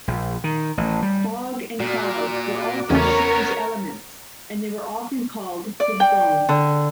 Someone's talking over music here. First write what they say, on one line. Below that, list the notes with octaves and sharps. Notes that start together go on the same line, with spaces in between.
Fog and clouds were also Shu's elements and they were often called his bones.
A#1
D#3
A1
G3
A#2 F#4 D5
E2 C#3 A3 B3 C#4 A#4 C#5
D5
G5
D3